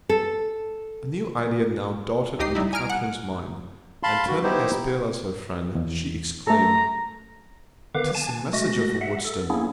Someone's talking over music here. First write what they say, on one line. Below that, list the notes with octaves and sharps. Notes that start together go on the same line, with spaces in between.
A new idea now darted into Catherine's mind, and turning as pale as her friend, she exclaimed, "'Tis a messenger from Woodston!"
A4
C#2 D#4 G4 D#5 C7
G3 D#4 E4
G#5 A#5 F6 D7
F#5
F5 A5 B5 C6
G2 F#4
B3 D#4 E4 G4 C5
E2
A3 A4 A#5
D3 D#3 B3 B4 F5 D6
G#5 A5
G#3 A3 F#4 A#6
E5 F#5
A4
A#3 B3 C#4 D4 E4 G#4